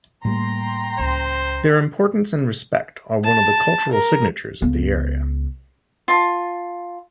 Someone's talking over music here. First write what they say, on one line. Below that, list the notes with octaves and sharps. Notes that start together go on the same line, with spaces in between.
Their importance and respect are one of the cultural signatures of the area.
A2 G3 A#3 G5 A#5 C6
C#2 C5
A5
A#4
C#2 B3
F4 A5